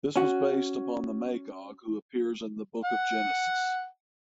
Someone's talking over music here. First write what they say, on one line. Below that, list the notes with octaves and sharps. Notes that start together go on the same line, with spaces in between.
This was based upon the Magog who appears in the "Book of Genesis".
C#4 F#4
F#5